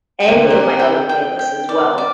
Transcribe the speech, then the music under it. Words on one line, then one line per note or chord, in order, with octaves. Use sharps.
any of my other playlists as well,
G5
C3
D3
C3
G4
G5
G5
G5
D5
D5